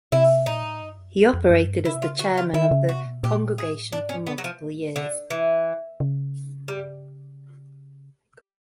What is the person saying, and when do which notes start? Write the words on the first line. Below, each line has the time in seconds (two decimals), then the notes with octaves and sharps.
He operated as the chairman of the congregation for multiple years.
0.12 C3 E4
0.46 A#2 D#4
0.64 A2
0.82 G2
0.99 F#2
1.15 F2
1.33 F2
1.50 F#2
1.67 G2
1.84 C#3 E4
1.95 C3
2.02 C#3 F4
2.19 D3 F#4
2.33 C3
2.37 C#3 F4
2.47 D3
2.54 D#3 E4
2.71 C#3
2.89 C3 F#4
3.06 B2
3.23 A#2 G4
3.58 A2 G#4
3.92 G#2 D4
4.09 C#4
4.27 B3
4.38 F#3
4.44 F3
4.96 D3
5.30 E3
6.00 C#3
6.68 G3